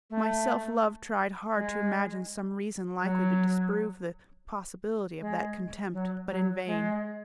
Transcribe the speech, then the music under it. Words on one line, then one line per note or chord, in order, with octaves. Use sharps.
My self-love tried hard to imagine some reason likely to disprove the possibility of that contempt, but in vain.
A3
G#3
F#3
G#3
F#3
F#3
G#3